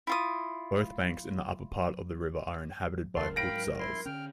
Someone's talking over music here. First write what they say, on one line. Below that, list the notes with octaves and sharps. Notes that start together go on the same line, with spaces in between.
Both banks in the upper part of the river are inhabited by Hutsuls.
E4 F4 D#6
C#2 F#2 C#3 A3 A4 A#4 C6
G#2 F#3 F5 G5 B5 A#6 D7
E4 C6
D3 C#4 G5 F6